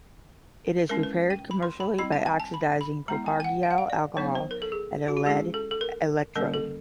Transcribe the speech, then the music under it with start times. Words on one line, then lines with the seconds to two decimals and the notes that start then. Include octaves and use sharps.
It is prepared commercially by oxidizing propargyl alcohol at a lead electrode.
0.89 G#3 C#4 E4 A#4
1.03 B4
1.30 G5
1.51 B5
1.63 C6
1.80 B5
1.99 G3 C4 E4 B5
2.12 A5
2.26 G#5
2.40 A5
2.54 B5
2.81 B5
3.08 G#3 B3 E4 A#5
3.26 G#5
3.40 G5
3.44 F#5
3.63 F5
3.71 F#5
3.78 F5
3.90 D5
4.17 F#3 B3 D#4 C#5
4.35 C5
4.51 A#4
4.62 A4
4.72 G#4
5.08 F#4
5.17 G4
5.26 G#3 C#4 E4 G#4
5.54 A4
5.71 A4
5.81 A#4
6.36 D3 G3 A#3 C#4 A#4
6.54 A4